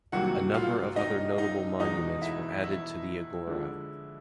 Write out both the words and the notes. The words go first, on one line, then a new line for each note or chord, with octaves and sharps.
A number of other notable monuments were added to the agora.
C2 C3 D#3 F#3 A#3 F#4 F#5
F4 F5
D#4 D#5
D#4 D#5
E2 B2 G#3 D#4 D#5
E4 E5
E4 E5
F2 D3 F3 G#3